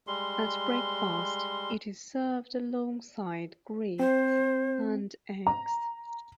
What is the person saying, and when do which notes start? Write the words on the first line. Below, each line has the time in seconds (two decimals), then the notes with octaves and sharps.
At breakfast it is served alongside grits and eggs.
0.07 G3 G#3 C6
4.00 C4 C5
5.47 A#5